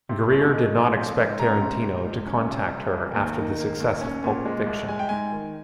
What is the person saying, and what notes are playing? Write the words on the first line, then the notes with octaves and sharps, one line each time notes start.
Grier did not expect Tarantino to contact her after the success of "Pulp Fiction".
C3
G1
D#4
F3
C4
G#2
C#4 A#5
C3
G3
C#2
C#4
C3
G3
C2
D#2
D#3
A#3
D#2
C#4
A#2
G#3
C2
G#3 G#5
G5
G#2 G#5
D#3